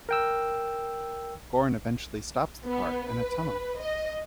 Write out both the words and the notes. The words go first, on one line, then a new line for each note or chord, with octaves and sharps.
Goran eventually stops the car in a tunnel.
A#4 G5 E6
B3
B4
D#5